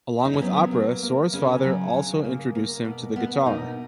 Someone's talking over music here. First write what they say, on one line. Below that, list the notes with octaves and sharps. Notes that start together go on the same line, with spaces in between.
Along with opera, Sor's father also introduced him to the guitar.
D#4
C#4
F#3 B3
A#3
A#3
C#3 C#4
F#3
C#3
A#3
A#3
B2
A#3 B3
B2 D#4